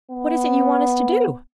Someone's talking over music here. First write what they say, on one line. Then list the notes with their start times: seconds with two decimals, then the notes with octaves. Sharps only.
"What is it you want us to do?"
0.11 B3